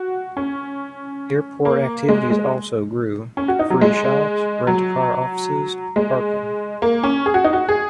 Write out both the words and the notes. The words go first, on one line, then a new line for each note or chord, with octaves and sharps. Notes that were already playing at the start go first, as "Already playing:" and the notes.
Airport activities also grew: free shops, rent-a-car offices, parking.
Already playing: F#4
C#4
A#3
G#3
G#3
C#4
F#4
D#4
F#3
G#3
F#3
G#3
A#3
C#4
G#4
F#4
D#4
F#4
G#4